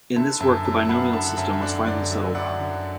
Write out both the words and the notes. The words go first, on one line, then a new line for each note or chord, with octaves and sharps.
In this work the binomial system was finally settled on.
D3 E5 A5
F#2 E5 A5
F#3 E5 A5
A5
F#2 F#5 B5
D3 E5 A5
F#5
F#2 E5 A5
E5
D3 D5 F#5
F#2 D5
F#3 E5
F#2 D5 F#5
D3